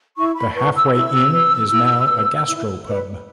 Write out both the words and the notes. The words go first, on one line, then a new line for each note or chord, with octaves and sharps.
The Halfway Inn is now a Gastropub.
E4 C#6
B5
B4 C#6
E6
E4 E6
B4
E4
B4
E4
B4